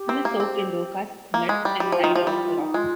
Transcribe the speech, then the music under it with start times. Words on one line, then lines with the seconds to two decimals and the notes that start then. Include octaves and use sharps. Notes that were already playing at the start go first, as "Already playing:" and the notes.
One is soaked in Dorcas' blood and tied around a rock.
Already playing: G4
0.09 C4
0.25 A#3
0.40 C4
1.34 A#3
1.49 G#3
1.65 G3
1.80 G3 G4
1.92 F3 F4
2.04 D#3
2.15 F3 G4
2.27 G3 F4
2.43 F4
2.58 D#4
2.74 G#3 F4